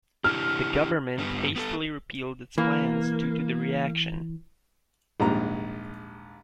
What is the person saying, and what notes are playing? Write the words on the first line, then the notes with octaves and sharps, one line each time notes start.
The government hastily repealed its plans due to the reaction.
D4 E4 G4 F6
G2 G3 B3
B3 G4 A4
E3 A#3
A#1 D#2 G#2 G3 A#5